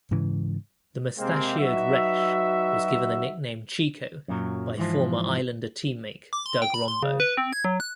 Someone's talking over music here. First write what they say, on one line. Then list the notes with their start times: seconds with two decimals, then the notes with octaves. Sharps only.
The mustachioed Resch was given the nickname "Chico" by former Islander teammate Doug Rombough.
0.11 G#2 C#3 E3
1.18 C3 G#3 A#3 C4
1.59 F#3 D#4 F#4 B4 E5
4.28 F#2 A#2 F#3
4.78 G#2 E3 F3
6.33 D6
6.46 C6
6.62 G5
6.74 B5
6.88 C6
7.03 C#3
7.20 B4
7.37 C4
7.53 G#6
7.65 F#3
7.80 F#6